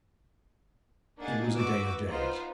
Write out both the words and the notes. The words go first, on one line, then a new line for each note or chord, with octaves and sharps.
It was a day of days.
A#3 D4 D#4 G#4 F#5 A6
F#4 B4 D6 E6
B3 D#4 F4 C5